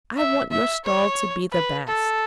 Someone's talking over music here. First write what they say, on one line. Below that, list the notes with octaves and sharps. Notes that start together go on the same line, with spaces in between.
'I want your stall to be the best.'
E5
E5
C#5
B4
A4